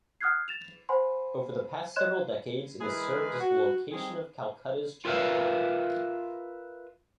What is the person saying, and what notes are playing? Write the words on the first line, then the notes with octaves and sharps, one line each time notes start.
Over the past several decades, it has served as the location of Calcutta's Chinatown.
F#5 D#6 F6 F#6 G#6 C7
A6 E7 F7
C5 F#5 G#5 B5 C6
C#5 D#5 C6 F#6 G#6 E7
E3 G#3 E4 G#4 A#4 B4
F#4
D#3 G3 C4 G#4
F4 A#4 B4 E5 F5